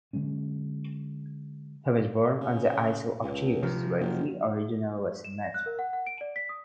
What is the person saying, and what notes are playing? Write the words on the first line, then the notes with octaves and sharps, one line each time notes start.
He was born on the isle of Chios, where he originally was a merchant.
D3 F#3 G#3 C#4
C#3
C#2
C3 F3
F#1
E7
A#6
F#6
A#4
F#5
F#5
D7
D5
B6
D#6